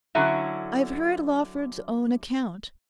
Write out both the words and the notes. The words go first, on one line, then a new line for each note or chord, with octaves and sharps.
I have heard Lawford's own account.
D3 F#3 C#4 E4